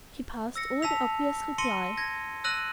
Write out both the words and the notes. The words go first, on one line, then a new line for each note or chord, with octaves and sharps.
He passed over the obvious reply.
E6 A#6 C#7
A5 E6 B6 F7
C6 A#6 C#7 D#7 G7
G#6 A#6
E6 F#6 A#6 D#7 F#7